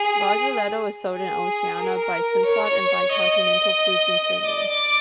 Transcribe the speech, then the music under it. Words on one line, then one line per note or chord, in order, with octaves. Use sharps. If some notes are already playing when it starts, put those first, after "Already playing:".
Raguletto is sold in Oceania by Simplot and by Continental Foods in Finland.
Already playing: G#4
G#4
A#4
C#5
D#5
D5